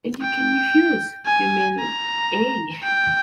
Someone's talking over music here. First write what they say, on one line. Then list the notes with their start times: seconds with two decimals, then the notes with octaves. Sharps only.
And you can refuse, you mean, eh?
0.22 G5
1.26 G#5
1.79 A#5
2.83 G5